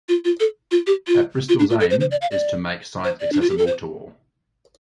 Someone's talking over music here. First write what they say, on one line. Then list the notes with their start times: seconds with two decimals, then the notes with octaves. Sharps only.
At-Bristol's aim is to make science accessible to all.
0.09 F4
0.25 F4
0.40 A4
0.71 F4
0.87 G4
1.08 F4
1.49 F4
1.59 D4
1.70 F4
1.80 A4
1.90 C5
2.01 C5
2.11 D5
2.22 F5
2.31 D5
3.04 C5
3.20 D5
3.32 D4
3.41 F4
3.50 G4
3.58 A4
3.67 C5